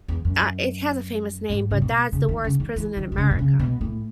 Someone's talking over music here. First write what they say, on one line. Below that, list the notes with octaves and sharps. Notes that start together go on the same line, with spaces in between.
Uh, it has a famous name, but that's the worst prison in America.
E2
F#2
G#2
C#3
B2
C#3
D#3
C#3
D#3
E3
D#3
D#3
C#3
B2
C#3
B2
A2